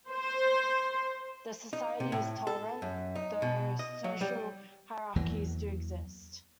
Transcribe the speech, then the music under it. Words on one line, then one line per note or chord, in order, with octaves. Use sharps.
The society is tolerant, though social hierarchies do exist.
C5
D#4
C3
A2
A4
F#2
D#4
B2
D#5
F#3
G3
E2 E3 F#3 A#3